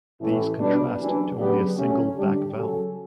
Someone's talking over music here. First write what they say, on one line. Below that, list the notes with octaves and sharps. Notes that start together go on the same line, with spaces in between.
These contrast to only a single back vowel.
A1 A2 E3 A3
B2 G3 D4
F#1 F#2 E3 G3 D4
C#3 F#3 B3 D4 G4
D2 C#3 F#3 A3 C#4
D3 G3 D4 G4
C#3 F#3 C#4 F#4 A4